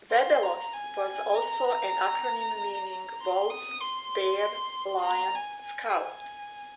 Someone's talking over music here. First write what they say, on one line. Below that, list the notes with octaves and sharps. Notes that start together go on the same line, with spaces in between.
Webelos was also an acronym meaning Wolf, Bear, Lion, Scout.
C6
A#5
G#5
A#5
C6
D#6
C6
A#5
G#5
G#5